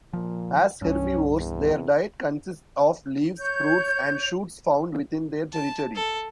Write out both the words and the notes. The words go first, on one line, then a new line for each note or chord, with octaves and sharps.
As herbivores, their diet consists of leaves, fruits, and shoots found within their territory.
A#2 F3
C2 G2 C#4
E2
C#5 G6
A5
A4